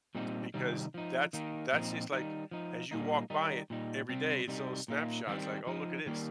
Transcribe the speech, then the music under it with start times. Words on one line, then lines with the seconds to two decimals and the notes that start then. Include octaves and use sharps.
because that's that's just like, as you walk by it every day, it's a little snapshot, it's like, "Oh look at this.
0.15 A#2 G3 C4 D#4
0.54 C3 D#3 G3 C4 D#4
0.94 F3 D#4
1.33 D#3 A#3 D#4
1.73 A#2 F3 C4 D#4
2.12 D#3 G3 D#4
2.51 F3 D#4
2.91 A#2 G3 A#3 D#4
3.30 D#3 G3 D#4
3.70 A#2 G3 D#4
4.09 C3 G3 C4
4.48 C3 G3 D#4
4.88 A#2 A#3 D#4
5.27 D#3 G3 C4
5.67 F3 D#4
6.06 D#3 G3 A#3